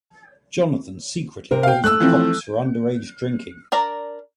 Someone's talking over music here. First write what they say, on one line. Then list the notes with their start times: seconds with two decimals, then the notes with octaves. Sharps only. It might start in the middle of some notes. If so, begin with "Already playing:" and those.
Jonathan secretly calls the cops for underage drinking.
1.51 C3 A#4 C5
1.63 F5 G5
1.84 A3 E6 F#6
2.00 E3 F3 C4
3.72 D4 A#4 D5 A#5